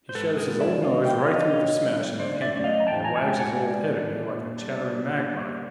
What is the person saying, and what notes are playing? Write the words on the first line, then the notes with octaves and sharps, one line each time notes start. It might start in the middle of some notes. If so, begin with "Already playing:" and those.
He shoves his old nose right through the smash in the pane, and wags his old head at me like a chattering magpie.
C5
G#2 A4 B4
G#4 A#4
D#3 G#3 B3
D5 E5
D#3 D#5 F5
F5 G5
F#3 B3 E4
D#5 F5
B2 C#5 D#5
G3 B3
D3 C5 D5
D5 E5
F#3 A3 C#4
D#5 F5
A#5
E2 G5 A5
G#5 A#5
G#5
B2 G#3 C4 G5 A5
F#5 G#5
G#2 D5 E5
E3 G3 B3 D4
A#2
G3 B3 D4
A#2
G3 A#3